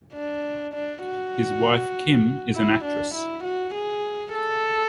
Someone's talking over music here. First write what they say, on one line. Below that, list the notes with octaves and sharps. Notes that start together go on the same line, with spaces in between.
His wife, Kim, is an actress.
D4
D4
F#4
E4
D4
E4
F#4
G#4
A4